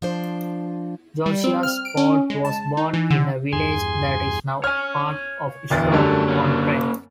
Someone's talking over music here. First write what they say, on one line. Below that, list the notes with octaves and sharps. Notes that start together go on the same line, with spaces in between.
Josiah Spode was born in a village that is now part of Stoke-on-Trent.
F3 D4 C5
G3
C4
F6
D7
C#4
G#3
A5
D#4
E3
D3
E2 G2 G#4 G#5 C6
C#5 G#5 F6
D1 E2 A6
F#2 D3 G3 A3 A#4
A#3 C#4